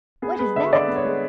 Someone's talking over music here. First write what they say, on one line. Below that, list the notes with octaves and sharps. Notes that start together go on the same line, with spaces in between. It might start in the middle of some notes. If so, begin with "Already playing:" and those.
"What is that?"
B3 G#4
G#3 B4
D3 E5
D3 D5
B3
C#5
G#3